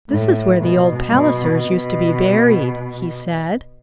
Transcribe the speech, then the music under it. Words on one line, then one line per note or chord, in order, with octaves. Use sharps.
"This is where the old Pallisers used to be buried," he said.
A2
B2
B2
B2